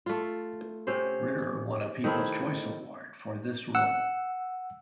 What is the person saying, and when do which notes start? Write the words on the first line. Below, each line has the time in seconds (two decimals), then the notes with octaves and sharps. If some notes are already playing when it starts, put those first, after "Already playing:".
Ritter won a People's Choice Award for this role.
0.06 A3 F4
0.87 C3 C#4 C5
2.04 D#3 A3 C4 E4
3.75 F#5 E6